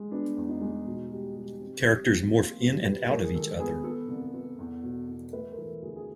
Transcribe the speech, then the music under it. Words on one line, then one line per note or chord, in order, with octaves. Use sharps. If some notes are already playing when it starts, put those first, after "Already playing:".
Characters morph in and out of each other.
Already playing: G#3
B3 D4
E2
D#4
G#3
B2
G3
G3
C4
G3
C4
F#4
A#3 F4
G3 F#4
G3 B4
G#3 A#4
G#4
D#3 A4
B3 G#4
B3 A4
C2
B3
E2
B2
E2
A3 B4
A#4
E3 A4
D2 G#4
G#4